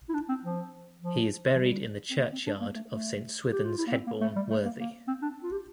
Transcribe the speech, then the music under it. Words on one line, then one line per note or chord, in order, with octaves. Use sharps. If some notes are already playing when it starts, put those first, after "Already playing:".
He is buried in the churchyard of Saint Swithun's Headbourne Worthy.
E4
D4
C4
F3
F3
F3
G3
C4
A#3
C4
D4
A#3
A3
A3
G4
F4
E4
A#3
C4
A#3
A3
G3
A3
A#3
A#3
C4
D4
F4
G4